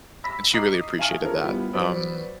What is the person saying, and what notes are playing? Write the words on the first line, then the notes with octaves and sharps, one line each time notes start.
and she really appreciated that, um,
B5 E6 A#6 B6
D#5 A#5 D6 D#6 B6 C7
E5 F5 G#5 A5 C#6 F6
C#4 D4 F4 G#4 A#4 C#5
G3 B3 E4 F4
F#3 F#4 B4 C5 D5